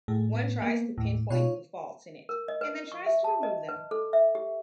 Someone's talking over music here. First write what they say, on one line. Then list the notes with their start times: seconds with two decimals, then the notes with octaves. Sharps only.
One tries to pin-point the faults in it and then tries to remove them.
0.08 A2 A3 G#4
0.35 B3
0.62 A#3
0.98 D#2 A2
1.30 B2 D#4 F4 C#5
2.29 A#4
2.48 D#5
2.61 B4
2.92 C#6
3.06 E5
3.24 A5
3.43 D#5
3.69 B4
3.91 A4
4.13 E5
4.35 G4